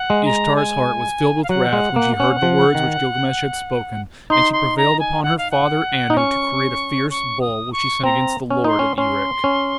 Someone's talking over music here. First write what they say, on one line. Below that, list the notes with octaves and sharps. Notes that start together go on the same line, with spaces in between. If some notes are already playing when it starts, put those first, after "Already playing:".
Ishtar's heart was filled with wrath when she heard the words which Gilgamesh had spoken, and she prevailed upon her father Anu to create a fierce bull which she sent against the lord of Erech.
Already playing: F#5
G#3
A#5
G#5
F5
F#3 F#5
G#3
A#3
C#4
F3
D#3
D#4 C6
C6
A#5
G#5
F#5
F5
F#5
D#4
C#4 C#6
C#6
D#6
C#6
C4 A#5
C#4
D#4 C6
C#4
C#4 C6
C#4